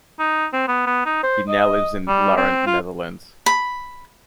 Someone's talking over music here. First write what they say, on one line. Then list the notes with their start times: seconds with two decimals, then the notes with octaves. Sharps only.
He now lives in Laren, Netherlands.
0.19 D#4
0.53 C4
0.68 B3
0.86 B3
1.06 D#4
1.23 C5
1.48 D#5
2.08 G3
2.37 C4
2.67 F4
3.46 B5